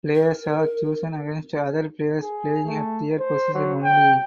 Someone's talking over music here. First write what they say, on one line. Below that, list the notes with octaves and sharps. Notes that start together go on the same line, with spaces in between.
Players are chosen against other players playing at their position only.
A#4
G#4
A3
C5
F#3
G5